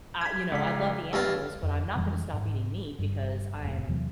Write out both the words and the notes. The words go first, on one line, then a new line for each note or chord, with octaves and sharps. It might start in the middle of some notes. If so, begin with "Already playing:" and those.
I you know, I love the animals, but I'm not gonna stop eating meat because I'm,
G#6 B6
C#2 D5 B6
G2 F4 E6
F2
F2 E3 G3 G#3
G#2
G1 G2
F1 A2
E2 C3 E3 F#3